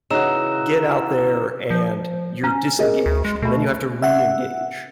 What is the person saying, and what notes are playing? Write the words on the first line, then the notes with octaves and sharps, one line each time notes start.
get out there and you're disengaged, and then you have to re-engage,
C#3 E3 D#4 F#4 A#5 E6 E7
F3
C#4 A#5
G#4 A#4 D#5
D2
G#3
B2 A3 B5
E5 F#5